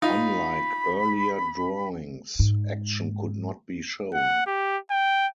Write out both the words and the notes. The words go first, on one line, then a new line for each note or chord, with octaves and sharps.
Unlike earlier drawings, action could not be shown.
D#4 F4 B5
G#2
F#5
G4
G5